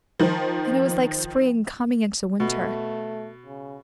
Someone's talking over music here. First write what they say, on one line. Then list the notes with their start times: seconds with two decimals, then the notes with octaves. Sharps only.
And it was like spring coming into winter.
0.19 D#3 F3
2.40 B2 A3
3.46 C#3